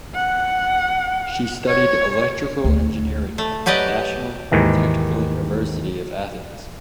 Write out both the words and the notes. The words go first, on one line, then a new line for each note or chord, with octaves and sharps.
She studied electrical engineering at the National Technical University of Athens.
F#5
C#5
D2
A3
F#3 G4 B4 D5 D#5
D#2 G#2 D#3 E3